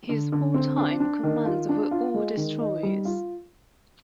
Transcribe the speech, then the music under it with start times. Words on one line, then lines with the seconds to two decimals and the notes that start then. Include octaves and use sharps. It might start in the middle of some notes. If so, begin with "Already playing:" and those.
His wartime commands were all destroyers.
0.09 D3
0.32 D3
0.54 C4
0.77 D4
1.00 D4
1.23 D#3
1.45 F4
1.69 D4
1.91 F4
2.14 G#3
2.37 D#3
2.60 D#4
2.83 G3
3.05 F4